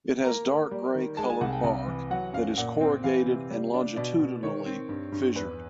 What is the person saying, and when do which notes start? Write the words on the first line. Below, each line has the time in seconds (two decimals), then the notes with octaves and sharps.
It has dark grey coloured bark that is corrugated and longitudinally fissured.
0.25 A#3 A#5
0.48 A#3
0.71 G3
0.95 D#3
1.17 G#3 A5
1.30 G#5
1.41 C2 F#5
1.53 G5
1.64 C2
1.88 E3
2.11 F#3 F#5
2.33 F#2 F5
2.57 A#2 F#5
2.81 C4
3.04 E3 F5
3.26 C3
3.51 G3
3.74 D4
3.96 B2 D5
4.20 B2
4.43 D#3 C#5
4.66 C4
4.89 G2
5.12 G2
5.35 E2 B4